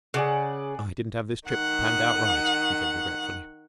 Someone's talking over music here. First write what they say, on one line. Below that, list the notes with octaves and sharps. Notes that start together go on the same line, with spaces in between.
"I didn't have this trip planned out right," he said regretfully.
C#3 G#4 D5 F#5
D#3 F#5